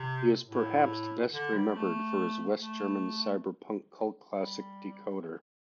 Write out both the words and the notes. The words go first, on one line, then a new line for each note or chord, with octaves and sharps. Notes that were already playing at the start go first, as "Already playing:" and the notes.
He is perhaps best remembered for his West German cyberpunk cult classic Decoder.
Already playing: C3
A2
D3
G3
A3
A3
G3